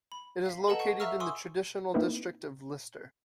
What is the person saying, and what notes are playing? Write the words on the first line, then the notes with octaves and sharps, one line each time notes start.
It is located in the traditional district of Lister.
B5
F5 B6
A4 B4 D#5 F#5 A5 A#5
F#5 C#6
E5 F5 A#5 C#6 E6 F6
G#5 C6 C#6 D#6 E6
A#3 C4 D#4 E4 B4